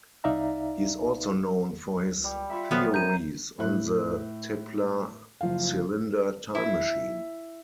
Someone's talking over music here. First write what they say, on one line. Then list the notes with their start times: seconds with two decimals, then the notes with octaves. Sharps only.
He is also known for his theories on the Tipler cylinder time machine.
0.24 C2 D#4 D5 E5 F5 A#5
2.08 C#2
2.24 G3
2.50 F4 E5 B5 C#6
2.71 F3 F#3 B3 A4
2.94 A#4 C#5 A#5 G6 D#7
3.59 A2 E5 F#6
5.41 F#1 F3 F5
6.55 E4